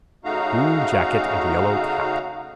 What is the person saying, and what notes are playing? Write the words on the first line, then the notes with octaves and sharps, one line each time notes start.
Blue jacket and yellow cap.
C#3 A3 D#4 F#4 F5 A#5